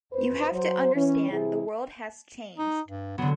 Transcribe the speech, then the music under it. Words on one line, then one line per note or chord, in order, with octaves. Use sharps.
You have to understand the world has changed.
F2 B4 C5
F#3 C5
E3 C#4
C3 E3 E4 G#4
D#4
G2
D3 F#3 B3